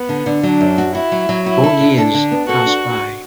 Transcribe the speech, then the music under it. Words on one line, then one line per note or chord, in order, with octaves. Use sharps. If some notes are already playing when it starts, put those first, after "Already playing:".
Four years pass by.
Already playing: B3
D3
D3
F#3 D4
F#2
F#4
E4 F#4
F#3
F#3
E4 F#4
A4
D3
D4 A4
D3
B3
F#4 A4
D4